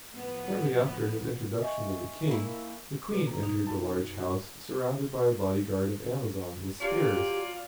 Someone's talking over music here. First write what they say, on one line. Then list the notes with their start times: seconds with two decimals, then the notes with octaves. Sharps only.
Shortly after his introduction to the King, the Queen entered the large house, surrounded by a body-guard of Amazons with spears.
0.15 A2 F3 B3
1.62 D#5 E5 G#5 C#6
2.28 A#3 E4
3.11 B2
3.27 A#5
3.43 D#4
3.67 F#2
4.17 F#4
6.80 F#3 F4 G4 D5